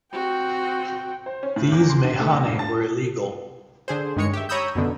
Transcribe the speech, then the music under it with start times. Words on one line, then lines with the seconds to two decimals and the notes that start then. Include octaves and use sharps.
These meyhane were illegal.
0.12 C4 F#4 G5
1.26 C5
1.43 C#4
1.56 A2
1.71 E2
1.90 C6
2.04 D3
2.20 A3
2.32 E2
2.45 G2
2.59 A5
3.88 D3 G#4 C5
4.16 G2 D#3 G#3 C#5 C#7
4.33 G4 E5
4.49 C#5 A#5 B5 D#6 E6 G6
4.75 F#2 B2 D3